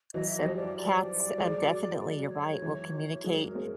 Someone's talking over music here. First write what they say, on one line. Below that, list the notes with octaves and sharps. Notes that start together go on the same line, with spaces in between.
So, cats, um, definitely, you're right, will communicate.
E3 F#3 D#5
E5
D#5
F3 G3
D5
D5
F#3 G#3
D5
C#5
E3 F#3
F#3 G#3
A#4
G#3 A#3